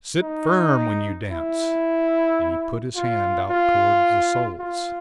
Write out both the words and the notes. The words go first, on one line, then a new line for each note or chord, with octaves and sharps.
"Sit firm when you dance"; and he put his hand out towards the soles.
D#4
E4
F4
F4
F4